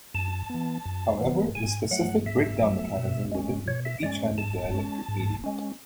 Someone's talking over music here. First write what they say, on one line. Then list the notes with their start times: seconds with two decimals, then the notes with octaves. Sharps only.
However, the specific breakdown mechanisms are different for each kind of dielectric medium.
0.14 F#2 A5
0.50 E3 B3
0.85 F#2
1.21 E3 B3
1.55 G#2 G#5
1.91 F#3 A3 F#5
2.26 G#2 E5
2.62 F#3 A3
2.97 B2
3.32 G#3 C#4
3.67 B2 C#5
3.85 E5
4.03 G#3 C#4 D5
4.38 G#2 A5
4.74 G#3 C#4
5.08 G#2
5.44 G#3 C#4